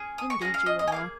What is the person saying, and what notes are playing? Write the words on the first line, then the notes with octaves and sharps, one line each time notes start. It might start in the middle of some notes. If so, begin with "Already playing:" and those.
'Indeed you are.
Already playing: C#4 G#4
D#6
C#6
C#4 F4 G#4 A#5
F5
D#5
D#5
G#5
A#3 D#4 G#4 F5